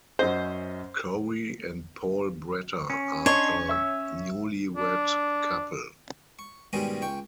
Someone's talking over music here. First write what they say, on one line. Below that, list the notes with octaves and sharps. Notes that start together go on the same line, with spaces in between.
Corie and Paul Bratter are a newlywed couple.
F#2 C#4 C5 D#5
C#4
D4 C#5 D#5 C6
E5 E6
D4
C#6
G#2 B2 D#3 G3 G#3 C#4
C#2 G5 C#6